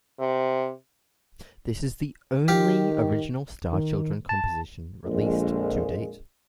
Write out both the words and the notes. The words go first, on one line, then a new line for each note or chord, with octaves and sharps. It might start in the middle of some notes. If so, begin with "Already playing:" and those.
This is the only original Starchildren composition released to date.
C3
D#3 G4 F5
D#3
A5
A#1 F2 G#3